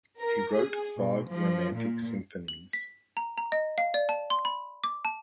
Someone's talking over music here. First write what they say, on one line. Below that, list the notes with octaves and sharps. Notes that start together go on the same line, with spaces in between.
He wrote five romantic symphonies.
A#4
G#4
B2
F3
A#2
F#7
B6
A#5
A#5
D#5
F5
D5
A5
C6
B5
D6
A5